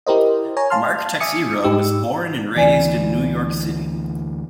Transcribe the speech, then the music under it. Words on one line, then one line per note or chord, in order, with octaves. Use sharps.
Mark Texeira was born and raised in New York City.
E4 G4 A#4 C5 D#5
C#5 G#5 A#5
F5 A5 C6 F6
E5 G#5 D6 D#6 C#7
G#2 D#4 G4 E6
D2 E3 D5 G#5